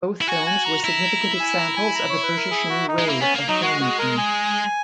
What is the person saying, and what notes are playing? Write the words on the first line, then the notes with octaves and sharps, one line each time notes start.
Both films were significant examples of the British New Wave of film-making.
E4
F#4 G#5
G#5
A#5
E4
G#5
A#5
G#5
A#5
C#5
B4
A#4
G#4
F#4
D#4
G#3
A#3 E4
B3 C#4
A#3
F#3 D#4
G#3 F#4
F#4
A#4
G#5